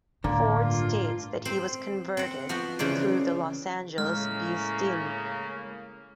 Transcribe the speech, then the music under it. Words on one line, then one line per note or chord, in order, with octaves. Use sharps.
Ford states that he was converted through the Los Angeles Beis Din.
A2 D3 A#3
G2 F4
C4 C5
C4 F#5
F3 B3 F#4
C#3 E3 C5 D5
A2 C#3 G#3 A#3 F6